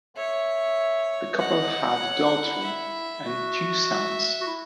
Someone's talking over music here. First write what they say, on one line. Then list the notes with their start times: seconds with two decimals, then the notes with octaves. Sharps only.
The couple had a daughter and two sons.
0.17 C#5 E5
1.39 D#5 F#5
2.01 C#5
2.22 D#4
2.43 E4
2.63 E5
3.24 F#4
3.86 E5
4.41 F#4
4.47 E4